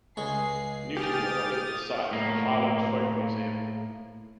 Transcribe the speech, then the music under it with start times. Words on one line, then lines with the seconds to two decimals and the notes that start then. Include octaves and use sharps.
Newtonmore is the site of the Highland Folk Museum.
0.17 C#2 G#3 G#5 C#6 C7
0.97 G4 G#4 D#6 F6 A6
2.11 A2 A#3